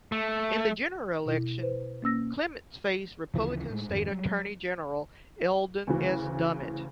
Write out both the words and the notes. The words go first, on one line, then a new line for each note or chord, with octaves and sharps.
In the general election, Clements faced Republican state attorney general Eldon S. Dummit.
A3
B2 E4
B4 C5
A#3 C#4 E6 A#6
D2 C#3 E3 F3
A2 G#3
F2 G#2 D#3
F#3 G3
D2 C#3 E3